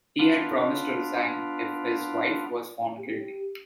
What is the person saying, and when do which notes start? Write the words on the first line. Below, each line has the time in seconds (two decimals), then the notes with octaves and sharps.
He had promised to resign if his wife was found guilty.
0.19 B3 D4 F4
2.99 G4